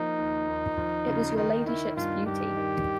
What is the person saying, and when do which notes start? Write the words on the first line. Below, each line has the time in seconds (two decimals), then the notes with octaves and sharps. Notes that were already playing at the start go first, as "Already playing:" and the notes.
It was your Ladyship's beauty.
Already playing: F3 A#3 D#4
0.18 D#2
0.48 D#2
0.78 F3
1.07 C#3
1.37 D#3 D#4
1.67 D#3 E4
1.97 G2 F4
2.27 G2 G4
2.56 D#3